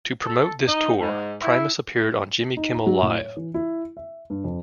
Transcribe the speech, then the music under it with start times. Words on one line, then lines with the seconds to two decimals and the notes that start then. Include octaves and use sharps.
To promote this tour, Primus appeared on Jimmy Kimmel Live!
0.24 A4
0.68 D#4
0.99 G#2
1.42 E4
2.57 D#4
2.74 A#5
2.86 F#3
3.02 A2
3.18 C#5
3.37 E3
3.54 E4
3.97 E5
4.30 G2
4.44 F2